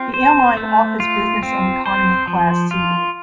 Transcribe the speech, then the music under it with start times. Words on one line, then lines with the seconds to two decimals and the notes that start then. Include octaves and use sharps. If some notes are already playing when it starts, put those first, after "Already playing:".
The airline offers business and economy class seating.
Already playing: C4 F4
0.14 C5
0.57 A3
1.00 F4
1.43 C4
1.86 C5
2.27 F3
2.71 F4